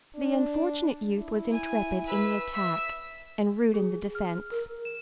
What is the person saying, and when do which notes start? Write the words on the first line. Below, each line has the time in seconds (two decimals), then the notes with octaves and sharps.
The unfortunate youth was intrepid in the attack, and rude in the defence.
0.15 D4
1.19 E4
1.51 G#5
2.06 B4 E5
2.52 E5
3.74 G#4
4.15 F6
4.52 A#4
4.85 E7